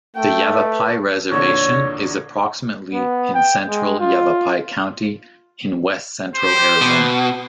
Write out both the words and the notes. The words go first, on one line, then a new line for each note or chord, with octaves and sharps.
The Yavapai reservation is approximately in central Yavapai County in west-central Arizona.
A3 G5
B4
A#1 E2 D3 C#5
B3
G5
G#3
F4
G4 C5
B2